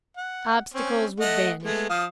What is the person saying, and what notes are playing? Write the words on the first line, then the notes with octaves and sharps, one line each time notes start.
Obstacles would vanish.
F#5
C4 C#4
A3 D#5 F#5
G#3 A3 B3
F3 F5 D#6